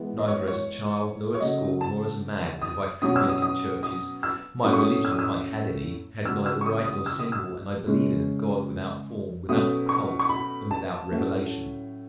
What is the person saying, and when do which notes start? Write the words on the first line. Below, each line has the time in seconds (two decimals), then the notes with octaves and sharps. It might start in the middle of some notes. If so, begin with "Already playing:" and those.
Neither as a child, nor at school, nor as a man, have I frequented churches; my religion, if I had any, had neither rite nor symbol, and I believed in a God without form, without a cult, and without revelation.
Already playing: E3 G#3 B3
0.19 D#5
0.28 C#5
0.47 C#5
1.34 C#5
1.40 C#3 F#3 A3 D#5
1.81 A5
2.62 D#6
3.02 B2 F#3 C#4 D#6
3.16 E6
3.29 D#6
3.42 D#6
3.83 D#6
4.23 E6
4.64 A2 F#3 A3 C#4 D#6
4.73 C#6
4.83 D#6
5.05 E6
5.12 D#6
5.19 E6
6.25 C#3 F#3 C#4 E6
6.46 E6
6.61 C#6
6.66 D#6
6.86 D#6
7.06 E6
7.19 D#6
7.32 E6
7.87 C#3 G#3 C#4
9.49 B2 F#3 A3 C#4 D#6
9.89 C#6
10.19 C#6
10.29 B5
10.71 A5
11.11 A2 F#3 A3 C#4